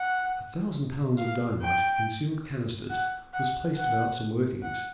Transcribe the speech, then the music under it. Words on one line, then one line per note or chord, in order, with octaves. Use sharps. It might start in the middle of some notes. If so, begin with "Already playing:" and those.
A thousand pounds of dynamite, in sealed canisters, was placed about some workings.
Already playing: F#5
F5
G5
F#5
F#5
F#5
F#5